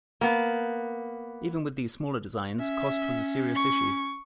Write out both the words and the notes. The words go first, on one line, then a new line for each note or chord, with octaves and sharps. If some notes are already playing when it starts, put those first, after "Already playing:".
Even with these smaller designs cost was a serious issue.
A#3 B3
C#4 E5
C#6